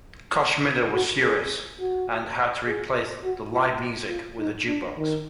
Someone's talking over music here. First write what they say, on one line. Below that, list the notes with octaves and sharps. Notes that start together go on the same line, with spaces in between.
Koschmider was furious, and had to replace the live music with a juke box.
F#4
G#4
F#4
G#4
F#4
F4
F4
D#4
D4
D#3